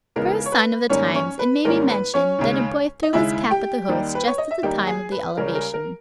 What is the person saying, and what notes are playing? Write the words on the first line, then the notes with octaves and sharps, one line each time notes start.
For a sign of the times it may be mentioned that a boy threw his cap at the Host just at the time of the Elevation.
E2 C#3 G#3 B3 D#4 A#4
C#5
B4
G#1 G#2 G3 A#3 C#4 C#5
C#4 C#5
B4
G#1 G#2 G3 A#3 C#4 A#4
B4
C#4 C#5
D#2 C#3 G#3
D#5
D#2 C#3 G#3 E4 E5
G4 G5
D#2 D#3 G3 A#3 D#4
B4
C#5
D#5
E5
D#2 D#3 G3 A#3 D#4 G4 G5
G#4 G#5
B4
C#2 C#3 G3 C#4 A#4
A#4
A#4